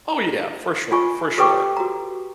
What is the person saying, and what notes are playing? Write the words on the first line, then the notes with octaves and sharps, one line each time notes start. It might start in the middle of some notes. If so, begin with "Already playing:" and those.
Oh yeah, for sure, for sure,
F4 G#5 C#6
G4 A4 B4 G5 C#6 D6
F#4 A#5